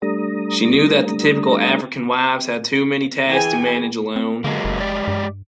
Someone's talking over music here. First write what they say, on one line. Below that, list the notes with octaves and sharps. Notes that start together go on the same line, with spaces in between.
She knew that the typical African wives had too many tasks to manage alone.
G3 A3 D4 A#5 D#6
E3 G#4 G5 G#5
C4
D3 F#3 G#3 A#3
F#1
G#3 G4 D5
G2